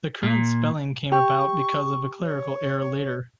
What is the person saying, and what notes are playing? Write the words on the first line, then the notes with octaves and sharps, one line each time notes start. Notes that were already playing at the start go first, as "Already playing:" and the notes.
The current spelling came about because of a clerical error later.
A#2
G4 C#6
C#5